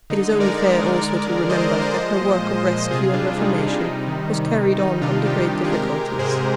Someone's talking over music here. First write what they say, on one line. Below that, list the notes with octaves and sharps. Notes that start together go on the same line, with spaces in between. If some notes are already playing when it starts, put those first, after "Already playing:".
It is only fair also to remember that her work of rescue and reformation was carried on under great difficulties.
D3 D#4
D#4
G#3
A#4 D5
G#3
G#3
G#3
D3
D3 C5 D#5
G#3
C5 D#5
F3
A#2
F3
A#2
C3 F4 G#4
G3 D4 F4
G3 D#4
C3 D#4
G3
D#3
D#3
G3
D#3 D#4
C3 D4 F4
D#3 D#4 G4
C3
G#4
G#3 G4 A#4
G#3
G#2 G#4 C5